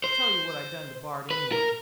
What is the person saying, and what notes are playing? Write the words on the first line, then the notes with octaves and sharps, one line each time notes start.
I'll tell you what I done to Bard, anyway.
C5
B4
A#4